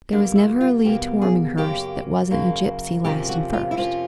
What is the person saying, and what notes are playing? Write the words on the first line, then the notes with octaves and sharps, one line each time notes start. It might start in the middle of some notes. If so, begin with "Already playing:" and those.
'There was never a Lee to Warminghurst That wasn't a gipsy last and first.
E2 B2 G3 A#3 D4
E4
F4
E2 B2 G3 A#3 G4
G#4
F#2 C#3 F#3 A#3 G4
F#2 C#3 F#3 A#3
F2 C3 F3 A#3 C#4 G4
F#4
F4
E4
F2 C3 F3 A#3 C#4 F4